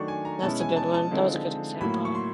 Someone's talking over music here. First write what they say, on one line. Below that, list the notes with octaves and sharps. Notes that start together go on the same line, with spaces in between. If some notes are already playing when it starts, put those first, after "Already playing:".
that's a good one, that was a good example.
Already playing: D#3 F#3 A3 D4 C#6
G#5
A#5
B2 G#3 C#4 E4 A5
G#5
A5
A5
D3 F3 G#3 C4 D#4
A2 F#3 A#3 B5
C#6
C6